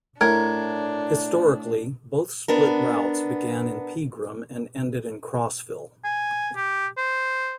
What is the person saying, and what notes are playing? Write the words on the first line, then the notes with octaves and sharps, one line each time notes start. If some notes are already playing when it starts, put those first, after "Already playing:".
Historically, both split routes began in Pegram and ended in Crossville.
A2 D4 A#4 G#6
B3 D4 A#4
G#5
G4
C5